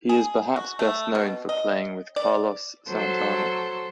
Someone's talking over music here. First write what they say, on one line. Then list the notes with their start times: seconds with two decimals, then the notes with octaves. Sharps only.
He is perhaps best known for playing with Carlos Santana.
0.09 G#4
0.56 F#4
0.79 A3
1.15 B2
1.49 D#5
2.16 D5
2.88 F#3 A4 C5